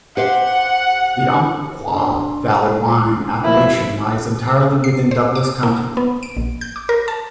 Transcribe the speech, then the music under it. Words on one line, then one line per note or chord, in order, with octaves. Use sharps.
The Umpqua Valley wine appellation lies entirely within Douglas county.
G4 C5 F5 F#5
D4 C6
G#3
F3 A3 A#3 E4
C7
C5
D6
A#3
B3
D7
A#1
G6
D6
A#4
A5